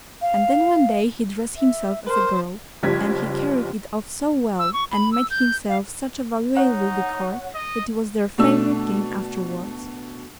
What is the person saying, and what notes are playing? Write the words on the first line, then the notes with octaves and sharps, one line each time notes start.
And then one day he dressed himself as a girl, and he carried it off so well, and made himself such a valuable decoy, that it was their favourite game afterwards.
F5
E5
A#4 C5
F#1 F3 G3 G#6 B6
E6
C#6
B5
E6
G6
F5
D#4 C#5 F#5
D#5
B2 A3 D4 E6